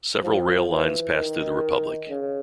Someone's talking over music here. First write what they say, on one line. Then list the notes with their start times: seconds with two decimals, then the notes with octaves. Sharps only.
Several rail lines pass through the republic.
0.23 F3
0.69 E3
1.15 D#3
2.09 C#3